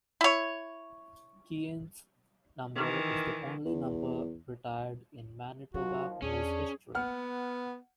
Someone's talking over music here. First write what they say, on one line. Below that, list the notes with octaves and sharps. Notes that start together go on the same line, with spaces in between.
Keane's number is the only number retired in Manitoba Moose history.
E4 C#5
D#3 E3
E2
D#2 F3 F#3 F4 F#4
E2 C#4 D4 G#4
B3 F#5 F6